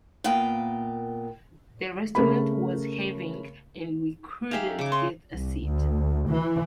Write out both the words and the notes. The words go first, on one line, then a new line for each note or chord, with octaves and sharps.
The restaurant was heaving and we couldn't get a seat.
A#2 A#3 B3 F5 G5
C#3 A3 A#4 B5
D#4 G4 G#4 E5 F5
C#3 D6
C6 C#6
C2
D2
E3